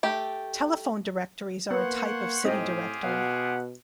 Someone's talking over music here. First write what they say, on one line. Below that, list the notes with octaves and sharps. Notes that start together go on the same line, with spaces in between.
Telephone directories are a type of city directory.
A3 G4
A#3 B3 C5 C#5 F#5
A2 C4 D#4 F4 G4 G#4 D#5
B2 F5 F#5